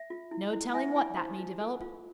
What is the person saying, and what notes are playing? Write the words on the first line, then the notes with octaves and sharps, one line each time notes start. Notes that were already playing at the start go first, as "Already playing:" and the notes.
No telling what that may develop.
Already playing: E5
F4
E4
E4
E4 E5 G#5
E4 G#5 B5
C5 F5 A5
F4
A4
F4